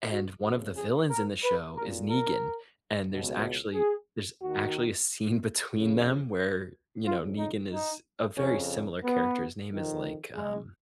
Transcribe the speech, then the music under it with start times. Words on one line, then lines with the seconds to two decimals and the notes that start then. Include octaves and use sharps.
and one of the villains in the show is Negan and there's actually there's actually a scene between them where, you know, Negan is a very similar character. His name is like, um,
0.11 F#4
0.44 F2 C#3 F#4
0.77 G#4
1.10 A#4
1.44 B4
1.76 B1 A#2 A#4
2.09 A#4
3.09 C#2 B2
3.74 G#4
4.40 D#2 D#3 F#4
5.72 F2 C#3
7.05 F2 C#3 F4
7.38 D#4
7.71 D#4
8.37 F2 C#3 C#4
9.04 B3
9.69 F2 D#3
10.35 G#3